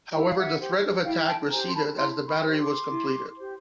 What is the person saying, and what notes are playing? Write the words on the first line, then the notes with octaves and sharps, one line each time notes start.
However, the threat of attack receded as the battery was completed.
E4 G5
F#5
F5
E5 F#5
G4 C5
E4 F5 G5
G5 A5
G4 C5 G#5 A#5
C6
A5 B5
E4 A#5 C6
B5 C#6
G4 C5
C6 D6
E4
G4 C5